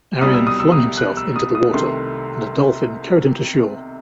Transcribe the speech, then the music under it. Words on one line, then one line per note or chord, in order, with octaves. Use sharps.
Arion flung himself into the water, and a dolphin carried him to shore.
C2 B2 G3 D#6
E6
D#6
E6
D#6
F#6
E6
D#6
D#6
C2 C3 D#3 A3 C6